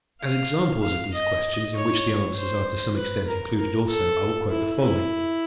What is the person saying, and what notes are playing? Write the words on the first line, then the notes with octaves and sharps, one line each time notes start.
As examples of these questions, in which the answers are to some extent included also, I will quote the following.
F5
F5
D#5
C#5
C5
B4
A#4
A#4
A4
E4
E4